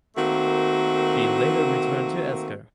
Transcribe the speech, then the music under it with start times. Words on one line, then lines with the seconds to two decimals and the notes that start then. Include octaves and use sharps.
She later returned to Asker.
0.16 D#3 A3 A#3 C4 F#4